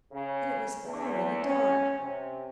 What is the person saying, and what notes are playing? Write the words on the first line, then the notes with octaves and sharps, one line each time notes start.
But it was already dark.
C#3
E2
C#4
C3